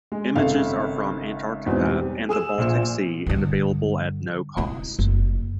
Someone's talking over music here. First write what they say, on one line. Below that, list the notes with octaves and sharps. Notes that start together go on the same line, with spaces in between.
Images are from Antarctica and the Baltic Sea and available at no cost.
G#3
G#1 C#3 A4 E5 F5
E2 G#2 B2 C4
G3
G#4 D#6 E6 E7
A#1 A#2 C5 E7
G2 D3
D#4 E4
F#1